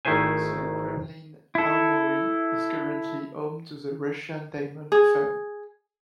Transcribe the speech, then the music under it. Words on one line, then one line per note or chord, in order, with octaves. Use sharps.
The Kremlin Armoury is currently home to the Russian Diamond Fund.
G#1 D#3 A3 E4 C5 G#5
E4 A4
G#4